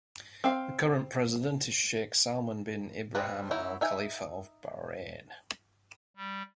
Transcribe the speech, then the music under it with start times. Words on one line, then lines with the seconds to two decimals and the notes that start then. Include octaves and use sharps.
The current president is Sheikh Salman Bin Ibrahim Al-Khalifa of Bahrain.
0.44 C4 F5
3.15 G3 G#3 C4 B4
3.51 F#3 D#4 E4
3.81 D#4 E5 G#5
6.16 G3